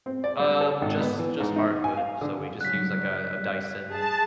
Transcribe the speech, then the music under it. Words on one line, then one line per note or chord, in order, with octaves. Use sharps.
Um, just just hardwood, so, we just use, like, a a Dyson,
C4
D5
G3
A4
G#1
B3
E3
G#2
D#4
G#5
F5
D3
C#3 F#3 G3 F#6 B6
G3
G#4 A5